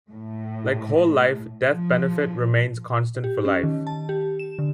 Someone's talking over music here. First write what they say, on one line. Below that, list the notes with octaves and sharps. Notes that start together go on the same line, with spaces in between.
Like whole life, death benefit remains constant for life.
A2
F3
G4
C#4
D#3
A5
G4
E7
D3